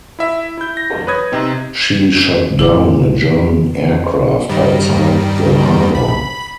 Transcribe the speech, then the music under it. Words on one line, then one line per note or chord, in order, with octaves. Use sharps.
She shot down a German aircraft outside the harbour.
E4 E5
E4 G6
A#6
B4 C#5 D#6 G#6
C3 C4 D#4
A2 E4 D6
G2 D#3 G3
B5